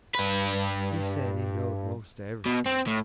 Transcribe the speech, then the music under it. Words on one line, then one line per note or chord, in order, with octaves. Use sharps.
He said he knowed most everything.
G2 B4
B2
C4
A2